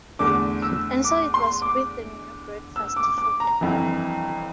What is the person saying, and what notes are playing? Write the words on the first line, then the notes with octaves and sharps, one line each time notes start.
And so it was with the new breakfast food.
E2 D3 A3 D6
E6
D6
C6
D6
E6
D6
D6
A#5
G1 F2 E3